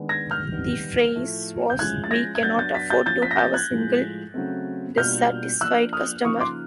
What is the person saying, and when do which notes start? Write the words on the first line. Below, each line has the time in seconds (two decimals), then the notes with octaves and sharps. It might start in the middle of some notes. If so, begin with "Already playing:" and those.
The phrase was, "We Cannot Afford To Have A Single Dissatisfied Customer".
Already playing: D#3 G#3 B3 D4
0.09 G#6 A#6
0.31 F6 G6
0.52 D#3 G3 B3
1.16 A2 F3 A3
1.70 G6
1.79 F3 G#3 C#4 E4 F#6 G#6
2.04 A6
2.11 G#6 A#6
2.35 G#6
2.43 F#3 B3 D4 G6 A6
2.59 G6 A6
2.75 A6 B6
2.90 G6 A6
3.06 F3 A#3 C#4 G6 A6
3.22 A6 B6
3.31 A#6
3.38 G6 A6
3.54 F#6 G#6
3.70 A2 F3 G#3
4.34 C#3 F#3 A3 C4
4.97 B2 G3 A#3 D4 F4 F6 G6
5.61 F3 A#3 D4 E6 F#6
5.93 D#6 F6
6.25 C#3 F3 A#3 D#4 C#6 D#6
6.41 C6 D6